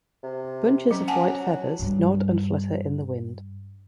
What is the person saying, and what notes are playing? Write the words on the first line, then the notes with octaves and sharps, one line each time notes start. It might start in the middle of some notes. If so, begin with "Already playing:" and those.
Bunches of white feathers nod and flutter in the wind.
C3
F#3 C#4
F#5 G#5 A5
F#3
G2 G3